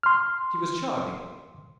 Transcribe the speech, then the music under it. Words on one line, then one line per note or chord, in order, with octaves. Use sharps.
She was charming.
C6 F6